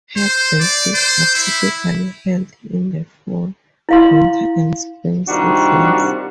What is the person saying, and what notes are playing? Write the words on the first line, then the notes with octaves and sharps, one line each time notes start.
Head races are typically held in the fall, winter and spring seasons.
C5
D5
C5
E4
E4 F5 C6
C3 D#3 G3 D4 F4 F#4